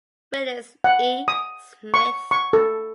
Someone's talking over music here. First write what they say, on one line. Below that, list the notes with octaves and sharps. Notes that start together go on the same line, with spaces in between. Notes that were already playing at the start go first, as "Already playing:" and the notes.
Willis E. Smith.
F#5
D#6
C#6
C#6
A4